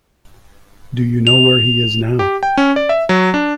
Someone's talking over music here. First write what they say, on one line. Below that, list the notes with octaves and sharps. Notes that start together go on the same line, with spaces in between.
Do you know where he is now?
F7
G4
G5
C#4
D5
E5
F#3
D4